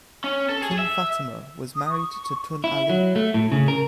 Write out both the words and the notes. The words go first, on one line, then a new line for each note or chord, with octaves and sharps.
Tun Fatimah was married to Tun Ali.
C#4
A4
G#4
E5
D#6
C#6
E4
F#3
A3
A2
C#3
A#4